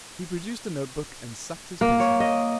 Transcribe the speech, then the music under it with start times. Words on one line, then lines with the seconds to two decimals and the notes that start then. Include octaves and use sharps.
He produced a notebook and sucked his pencil.
1.81 A#3
2.00 C#5
2.20 D#5